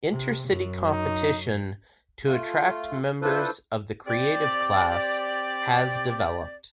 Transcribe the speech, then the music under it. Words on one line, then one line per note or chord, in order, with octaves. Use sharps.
Inter-city competition to attract members of the Creative Class has developed.
C3
F#2
D#4
A3 F4
D4 E4 F4 A4 B4 C5
C4 G4 D5